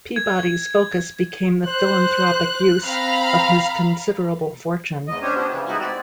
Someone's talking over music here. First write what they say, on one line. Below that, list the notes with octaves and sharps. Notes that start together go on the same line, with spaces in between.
Peabody's focus became the philanthropic use of his considerable fortune.
G#6
C5 F#6
C4 F5 A#5 B5
E2 G#2 D#5
C#4 D4 G4 C5 C#5
F3 B3 C4 D4
C#3 E3
G3 G#3 B3 D#4 E4 F#4
C4 D5